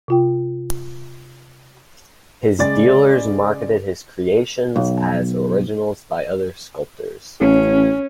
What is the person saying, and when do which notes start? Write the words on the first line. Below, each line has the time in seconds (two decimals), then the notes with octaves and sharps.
His dealers marketed his creations as originals by other sculptors.
0.08 C3 F4 G5
2.59 C#3 G#3 D5 A6
4.76 B1
7.40 A1 C#4